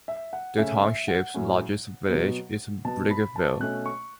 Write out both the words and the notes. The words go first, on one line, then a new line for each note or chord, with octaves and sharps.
The Township's largest village is Brickerville.
E5
F#5
C#3 A3 C#4 E5
E5
F#5
A2 F#3 A3 C#4
B2 F#3 B3
B2 B3 A5
B5
A5
B2 A3 C#4 F#6
C#6